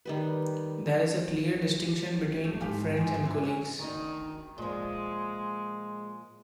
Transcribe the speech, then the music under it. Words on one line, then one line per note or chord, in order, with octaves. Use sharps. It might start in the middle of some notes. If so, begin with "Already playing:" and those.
There is a clear distinction between "friends" and "colleagues".
D#3 G3 B4
A3
G#2 G4 F5
E2 G#2
E2 C3 B3
E3
F#3 C#4
D2 D#3 D#4
A#2 F3 G#3